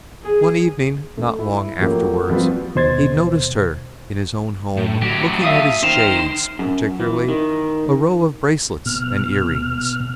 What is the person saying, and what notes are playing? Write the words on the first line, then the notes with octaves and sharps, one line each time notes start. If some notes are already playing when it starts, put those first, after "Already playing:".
One evening not long afterward he noticed her in his own home looking at his jades, particularly a row of bracelets and ear-rings.
G#4
A3
E4
F3 F#3 A3 A#3 G4
F3 G3 C4 F4 F#4 B4
D#2 B2 C5 G#6 A6
A2
A2 F#3 G4
E5 F5 D#6 D#7
D#4 C5 G5 F6 E7
F#2
E3
D#3
B2 F6